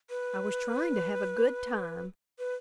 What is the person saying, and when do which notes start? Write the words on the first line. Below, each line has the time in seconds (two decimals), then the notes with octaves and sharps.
I was trying to have a good time.
0.10 B4
2.39 B4